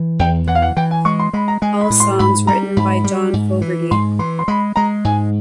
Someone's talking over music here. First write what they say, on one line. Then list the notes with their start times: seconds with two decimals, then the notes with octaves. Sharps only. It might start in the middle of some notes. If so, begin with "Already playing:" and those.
All songs written by John Fogerty.
Already playing: E3
0.19 E2 G5
0.47 E3 F#5
0.55 F5
0.62 F#5
0.77 E3 G5
0.91 G#5
1.05 G#3 C#6
1.20 C6
1.33 G#3 B5
1.48 A#5
1.62 G#3 G#5
1.81 B5
1.90 A2
2.00 C6
2.19 G#2 B5
2.47 G3 A#5
2.77 G#2 B5
3.04 G3
3.33 G#2
3.62 E3
3.91 G#2 C6
4.19 E3 C6
4.39 C6
4.48 G#3 B5
4.76 G#3 A#5
5.05 G#2 G#5